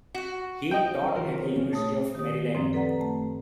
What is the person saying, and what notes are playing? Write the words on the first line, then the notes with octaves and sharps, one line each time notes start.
He taught at the University of Maryland.
F#4
F3 D#5 G5
F#3 F4
D#3 E3 F#3 A#4
C#4
A#2 A3 C#5 D#6
D#3 G4 D#6
F#2 F3 C4
A4 B4 D5 F#5 A#5
A3